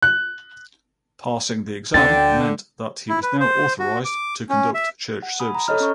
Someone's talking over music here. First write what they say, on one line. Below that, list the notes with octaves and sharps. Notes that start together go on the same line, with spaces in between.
Passing the exam meant that he was now authorised to conduct church services.
F#6
D2 D3 G#3 D4 G5 A6
E4
B4
C5
F#4
D6
C#4
E5
F#5
G#5 B5 D#6
A#5
A4 C#5 D#5 F6
C#4 C#6